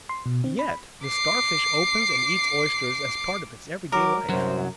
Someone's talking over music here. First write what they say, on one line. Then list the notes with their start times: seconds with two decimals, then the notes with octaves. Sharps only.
Yet the Starfish opens and eats oysters as part of its everyday life.
0.09 C6
0.26 B2
0.44 C4
0.59 B5
1.06 D6 C7
3.92 F#3 A#4 D6
4.30 C2 F#2 F#3 C5